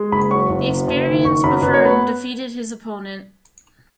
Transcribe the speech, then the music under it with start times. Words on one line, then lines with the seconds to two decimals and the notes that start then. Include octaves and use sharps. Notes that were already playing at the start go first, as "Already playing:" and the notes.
The experienced Bevern defeated his opponent.
Already playing: G#3
0.12 F#1 B5
0.31 F#3 C#6
0.49 F#1
0.69 F#2
0.88 F#1
1.06 D#3
1.25 F#1 C#6
1.44 F#2 B5
1.62 F#2 B4
1.74 C#5
1.81 B3 B4